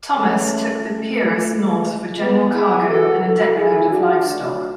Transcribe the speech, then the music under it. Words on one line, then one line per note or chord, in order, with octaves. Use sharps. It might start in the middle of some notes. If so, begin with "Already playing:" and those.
Thomas took the "Peeress" north for general cargo and a deckload of livestock.
C#3 E3 G#3 A3 C#4
A3
C#3 E3 G#3
G#3 B3
E4 G#4
C#3 E3 G#3 F#4 A4
F#4 A4
E4 G#4
D4 F#4
A2 F#3 D4 F#4